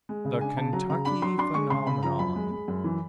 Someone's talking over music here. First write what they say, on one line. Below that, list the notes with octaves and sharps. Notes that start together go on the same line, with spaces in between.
"The Kentucky Phenomenon."
G#3
C#3
D4 G#5
C#3 A5
F#3 A#5
C#3 A#5
D4 B5
F#3 C6
D4 C6
G#3 C#6
C#3 C6
C#3 B5
F3 A#5
F#2 B5
G#3
G#3
F#2
E3